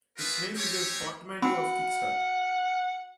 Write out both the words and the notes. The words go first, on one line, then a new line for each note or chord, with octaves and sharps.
Its name is a portmanteau of "kick start".
G3 F4 G#4 A#4 B4 E5
A3 C4 C#4 G4 C#5
C4 F#4 F#5 B5